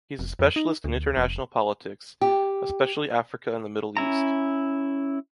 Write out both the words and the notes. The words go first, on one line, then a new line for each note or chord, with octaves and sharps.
He is a specialist in international politics, especially Africa and the Middle East.
F1
F2
D#4
D2
F1
G4
C#4 E4 A#5